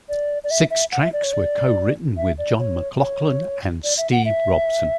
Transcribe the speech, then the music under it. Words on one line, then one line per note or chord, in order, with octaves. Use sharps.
Six tracks were co-written with John McLaughlin and Steve Robson.
D5
D5
E5
E5
F#5
E5
D5
C#5
D5
E5
D5
C#5
C#5
D5
E5
F#5
E5